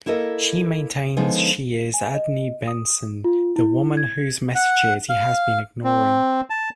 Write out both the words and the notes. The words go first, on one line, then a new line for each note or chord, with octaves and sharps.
She maintains she is Adne Bensen, the woman whose messages he has been ignoring.
A#3 E4 A4 A#4 D#5
D3 F3 G#3 B3 D#4
G#5
D#5
D#6
F4
E4
G#6
F#5
F5
C4
A5